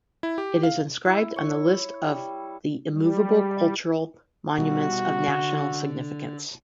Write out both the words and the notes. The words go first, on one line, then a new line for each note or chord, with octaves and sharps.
It is inscribed on the list of the Immovable Cultural Monuments of National Significance.
E4
G4
F5
E4
C#5
G3
G3
B2 G3 F#4
D3